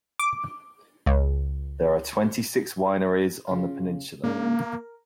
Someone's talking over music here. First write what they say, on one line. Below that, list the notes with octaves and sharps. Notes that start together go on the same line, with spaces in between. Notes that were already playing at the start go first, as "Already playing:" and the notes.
There are twenty six wineries on the peninsula.
D6
C#2
C#3 C#4 F4
G#2 C#3 A#3 D4
A#4